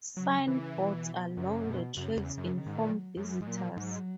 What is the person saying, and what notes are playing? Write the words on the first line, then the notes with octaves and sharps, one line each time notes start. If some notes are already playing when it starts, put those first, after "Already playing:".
Signboards along the trails inform visitors.
C#3 F#3
E3
B2
F#2 C#3
B2
F#2 C#3
E2
F#2
D#3
G#2
A#2
F#3
F#2 F#3
G#2
A#2 F#3
G#2 F#3